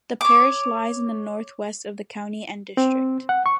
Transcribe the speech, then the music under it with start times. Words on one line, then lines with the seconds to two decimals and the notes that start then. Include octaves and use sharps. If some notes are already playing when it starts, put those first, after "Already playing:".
The parish lies in the north west of the county and district.
0.21 C#5 D6
2.77 C4
3.29 F#5
3.46 C#6